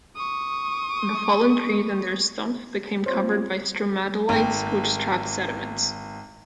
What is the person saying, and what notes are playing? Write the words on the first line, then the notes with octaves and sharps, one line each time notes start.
The fallen trees and their stumps became covered by stromatolites which trapped sediments.
C#6 D#6
G3 C4 F4 C5 C#5
G#1 G5